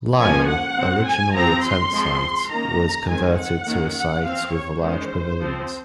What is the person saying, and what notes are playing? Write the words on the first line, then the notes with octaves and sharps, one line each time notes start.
Lisle, originally a tent site, was converted to a site with large pavilions.
F3 A#3 C#4 G#5
F#5
F#3 C4
G#5
F3 C4 A#5
C6
F3 G#3 C4
D#3 A#3 C#4 A#5
D#3 G#3 C4 G#5
F#5
D#3 A#3 C#4
F#5
F3 C4 F5
C#5
D#3 G#3 C#4 C5
F3 C4